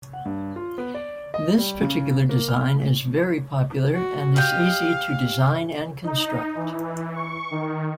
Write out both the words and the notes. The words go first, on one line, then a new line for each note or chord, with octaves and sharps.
This particular design is very popular and is easy to design and construct.
F#5
G2
F4
B3
D5
D#5
G3
C#3
A#3
F6
F#4
G4 D#5 F5 G5
D#4
E3
C#6
D#3